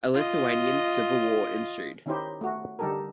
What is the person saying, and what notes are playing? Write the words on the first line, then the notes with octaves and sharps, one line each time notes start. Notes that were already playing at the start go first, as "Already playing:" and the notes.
A Lithuanian civil war ensued.
F4 D#5
D#3 C#4 D#4 E4 G4 C5
A3 F#4
D3 G3 D#4 G4 A4 A#4